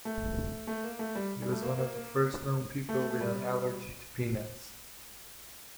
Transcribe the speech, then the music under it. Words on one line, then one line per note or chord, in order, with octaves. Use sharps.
He was one of the first known people with an allergy to peanuts.
A3
A3
A#3
A3
G3
G3
A3
A#3
A#3
A#3
A3
A3
G3